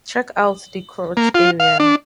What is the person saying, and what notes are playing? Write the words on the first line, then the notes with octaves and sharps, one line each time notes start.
Check out the crotch area.
A#3
F4
F5
D4